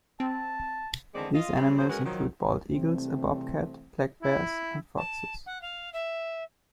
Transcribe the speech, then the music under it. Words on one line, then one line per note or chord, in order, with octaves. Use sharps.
These animals include bald eagles, a bobcat, black bears and foxes.
C4 A5
E2 D3 D#3 G#3 C4 D5
F4 D#5
G3 C4 C#4
D#2 C#3 F#3 C5
D2 G#3 C#4 F#4 A#4 B4
D#3 F3 F#3
C3 E3 G3 A3 C4
E4
A5
F#5
F5
E5